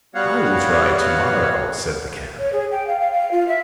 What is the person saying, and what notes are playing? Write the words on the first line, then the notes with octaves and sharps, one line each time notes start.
"I will try to-morrow," said the cat.
G3 B3 F#4 C#5 F5 F#5
C#5
G#4
G5
F5
F5
F5
F4
E5